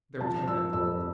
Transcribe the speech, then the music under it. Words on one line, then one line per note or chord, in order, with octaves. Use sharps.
There was no doubt of it.
F3 A5
F3 E6
F2 E6